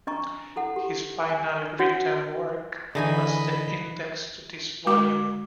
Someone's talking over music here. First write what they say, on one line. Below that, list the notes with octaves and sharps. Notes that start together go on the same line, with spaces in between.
His final written work was the index to this volume.
D4 D#5 A#5 C#6
E4 A4 F#5
G4
G#5
D4 F#4 C#5 F#5
D3 E3 D#4 G#4 D#5 G#5 B5
G#3 F#4 D6